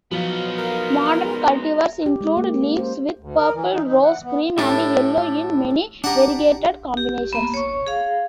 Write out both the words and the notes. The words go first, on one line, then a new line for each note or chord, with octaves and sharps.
Modern cultivars include leaves with purple, rose, cream, and yellow in many variegated combinations.
F3 F#3 B3 D#4 F5
A#4
F#2 G#3 A#5
G4
G#3
A#3
C#4
C5
D2
A#4
E3
D#4
D#4
F#5
B3
A2 D4 E4 G4 A4
D4 G4 F#5 A#5
G4
A#3 B3
C#5 C#6
G#4 F5